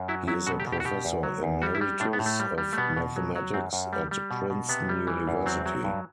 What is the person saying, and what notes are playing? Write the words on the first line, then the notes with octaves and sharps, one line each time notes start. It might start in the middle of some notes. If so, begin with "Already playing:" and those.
He is a professor emeritus of Mathematics at Princeton University.
Already playing: F#2
F#3 E4
F#3 E4
B2 F#4
G4
B2
G4
F#4
B2 G4
E2
F#3
E2
G3 F#4
E4
G3
A2 D4
B3
A2
A3
G3
G3
A3
B2 B3
B2
F#3
F#3
F#2 C4
F#2
G3
G3
B2
B2
C3 B3
G3
E3
E2
F#3 C4
F#3
G2